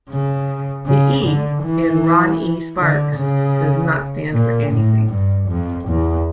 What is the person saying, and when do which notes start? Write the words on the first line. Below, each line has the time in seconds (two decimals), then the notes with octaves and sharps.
The "E" in "Ron E Sparks" does not stand for anything.
0.10 C#3
0.86 C#3
1.25 D3
1.64 E3
2.80 D3
3.17 C#3
4.33 A#2
4.72 A2
5.10 G2
5.49 F2
5.88 E2